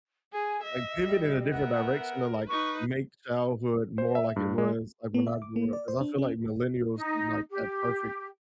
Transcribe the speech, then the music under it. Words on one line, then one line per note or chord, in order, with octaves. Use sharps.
like, pivot in a different direction to, like, make childhood more like it was, like, when I grew up, 'cause I feel like millennials had, like, that perfect
G#4 G#5
D#5 E5
G3
B3 A#4 E5 F#5
D#4 B4 C#6
C5
E5
G2
G#3
B3
E5
D6
A#3
D5
C5
D4
C#4
D#4
G4